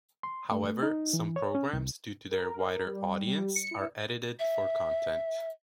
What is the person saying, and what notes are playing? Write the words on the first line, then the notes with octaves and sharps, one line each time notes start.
However, some programs, due to their wider audience, are edited for content.
C6
A3
D#4
E3
C#5
C#4
C2
A#4
G3
G3
C#7
E4
E5